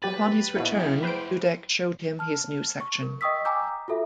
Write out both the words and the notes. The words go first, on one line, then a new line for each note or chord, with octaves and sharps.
Upon his return, Dudek showed him his new section.
F#3 G4 B4 A6
A#1 B2 E4
F#3 G#4 G5
B4 C5 D7
A5 F6
C#6
A#4
D#5 G5 C#6 D#6 E6 B6
G5 G#5 A#5 D6 E6 G6
F4 F#4 A4 E5